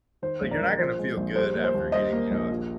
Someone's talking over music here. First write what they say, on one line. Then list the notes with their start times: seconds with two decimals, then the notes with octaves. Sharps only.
like, you're not gonna feel good after eating, you know, a
0.22 D#3 C5
0.41 A#1
0.51 A#4 D5
0.61 A#1
0.79 F3 C5
0.99 G#3
1.17 A#1
1.35 G3 C5
1.55 A#3
1.64 C5
1.74 D#2
1.92 G3 C5 D#5
2.12 A#3
2.31 A#1
2.50 F3